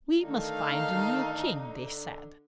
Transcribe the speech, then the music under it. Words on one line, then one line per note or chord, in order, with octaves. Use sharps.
"We must find a new king," they said.
D3 D#3 A3 D#4 A4 F5